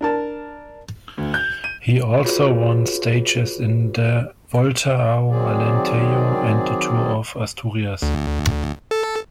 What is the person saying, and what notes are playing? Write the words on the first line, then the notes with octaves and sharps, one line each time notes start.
He also won stages in the Volta ao Alentejo and the Tour of Asturias.
D4 A#4 A5
D2
G6
D#7
F4 F#4 G#4 B4 C#5
D#3 F#3 C4 G#4 D5
D2
A4